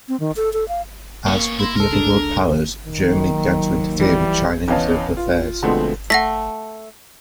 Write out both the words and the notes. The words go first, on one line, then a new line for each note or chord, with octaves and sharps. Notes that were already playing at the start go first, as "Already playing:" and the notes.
As with the other world powers, Germany began to interfere in Chinese local affairs.
C4
D#3
A4
A4
F5
B2 A#3 C#4
E4 C6 A#6
C#2 A4 A#4
D4 G#4
D#3
D#2 F#3
E3 G3
E2 C#4 D#5 F5 A5
F4
B2 D3 F3 G#3 A3 C4
A3 F#5 A#6 B6